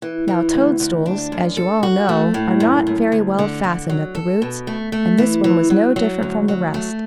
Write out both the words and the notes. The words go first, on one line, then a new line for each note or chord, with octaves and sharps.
Now toadstools, as you all know, are not very well fastened at the roots, and this one was no different from the rest.
E3
E3
D2
D2
D4
F#2
A4
F#4
A3
A2
F#2
F#2
D2
D3
D3
F#3
A4
B2
A3
A3
E3
E3
F#3
F#3
D2
F#3
A3